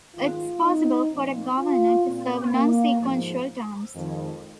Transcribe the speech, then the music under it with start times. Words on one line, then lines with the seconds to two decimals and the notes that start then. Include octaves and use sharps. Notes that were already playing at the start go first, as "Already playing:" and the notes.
It is possible for a governor to serve non-sequential terms.
0.14 G#2 D#3 G#3 F4
0.62 D#4
1.09 A#2 F3 A#3 C4
1.58 F4
2.05 A#2 A#3 C4
2.53 A#3
3.00 G#2 F3 G#3
3.95 F2 D#3 G#3